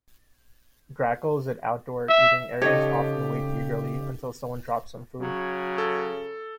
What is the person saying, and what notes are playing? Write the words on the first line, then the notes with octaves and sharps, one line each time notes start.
Grackles at outdoor eating areas often wait eagerly until someone drops some food.
E5
C#3 D#4 G4 A4 C#5 D#5
C#3 F#3
A4